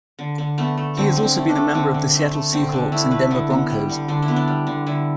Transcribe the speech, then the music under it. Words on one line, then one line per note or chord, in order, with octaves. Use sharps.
He has also been a member of the Seattle Seahawks and Denver Broncos.
D3
D3
A3 B3
A3
D3 C4
D3
C4
A3
D4
A3
D3 C4
D3
A3
A3
D3 C4
D3 D4
A3 E4
A3 B4
D3 E4
B3
G3
D3
D3 D4
E4
B3
D4
G3
D3
D3 E4